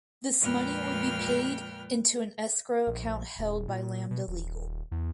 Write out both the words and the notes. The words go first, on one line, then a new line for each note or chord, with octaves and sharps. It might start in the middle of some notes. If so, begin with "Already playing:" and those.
This money would be paid into an escrow account held by Lambda Legal.
F2 A#2 G#3 B4 G5 F6
A#1
D#1
A#2
B2
D#1
E2